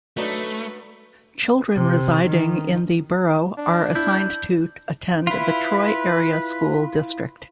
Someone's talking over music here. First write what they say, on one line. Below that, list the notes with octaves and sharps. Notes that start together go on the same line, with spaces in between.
Children residing in the borough are assigned to attend the Troy Area School District.
F#3 A3 D4 D#4 B4
C3
D#3
D4
E4 G6
E4 F4 B4